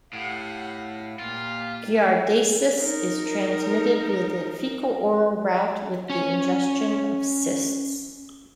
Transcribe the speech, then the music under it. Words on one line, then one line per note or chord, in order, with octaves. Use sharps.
Giardiasis is transmitted via the fecal-oral route with the ingestion of cysts.
A2 G4 F5 F#5
A#2 F4 G4
D#4 A#4
C#4 C#5